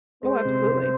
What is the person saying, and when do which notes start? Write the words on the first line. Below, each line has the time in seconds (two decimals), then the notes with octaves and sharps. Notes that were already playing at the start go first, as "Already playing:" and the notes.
Oh, absolutely.
0.23 G#3 C5
0.45 C3
0.67 C3